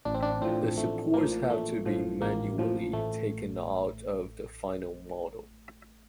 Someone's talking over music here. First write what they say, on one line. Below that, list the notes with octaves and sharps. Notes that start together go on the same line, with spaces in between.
The supports have to be manually taken out of the final model.
A1 D4
C4
D4
A2 F3 C4
A1 A3
A2 F3 A#3
A1 A3
A2 F3
A1 A#3
A2 F3
A1 A3